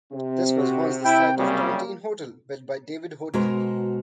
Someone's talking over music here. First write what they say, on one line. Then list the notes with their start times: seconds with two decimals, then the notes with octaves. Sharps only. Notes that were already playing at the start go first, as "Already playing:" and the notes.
This was once the site of the Tontine Hotel, built by David Hoadley.
0.12 C3 C4
0.58 F#4
1.04 E4 G5
1.38 F#2 C#3 G3 A#3
3.34 B2 G#3 F#4 A#4 C5 A#5